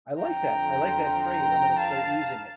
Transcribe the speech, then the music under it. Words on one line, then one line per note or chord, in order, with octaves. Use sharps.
like that. I like that phrase, I'm gonna start using it.
F2 D3 F3 G5 A#5
G5 A#5
F5 A5